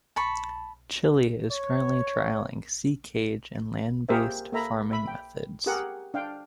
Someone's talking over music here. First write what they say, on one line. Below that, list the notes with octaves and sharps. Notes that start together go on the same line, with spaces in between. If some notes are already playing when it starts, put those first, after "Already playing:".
Chile is currently trialling seacage and land-based farming methods.
A5 B5 C#6
C#5
A#3 G4 G#4 A#4 C5 E5
A#3 A4 E5 A#5 B5
E5 B5
G5
G4 G#4 A#4 F#5
D4 F5 G5